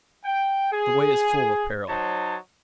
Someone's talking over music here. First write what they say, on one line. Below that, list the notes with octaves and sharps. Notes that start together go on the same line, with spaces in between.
The way is full of peril.
G5
G#4
F#3 D#4 C5 C#5 A5